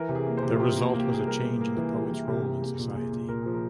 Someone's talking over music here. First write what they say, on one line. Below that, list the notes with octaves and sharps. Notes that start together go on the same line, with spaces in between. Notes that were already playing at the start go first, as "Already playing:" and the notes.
The result was a change in the poet's role in society.
Already playing: E3 A#4
C3
G#4
A#3
C5
C3
F4
C3 G4
A#3
A#3
G4
A#3 G#4
G3 A#4
A#3
A#3
E3
G3 G#4
E3
C3
A#3
A#3 G#4
A#2
A#2 G#4
A#2
A#2 A#4
F3 G#4
A#4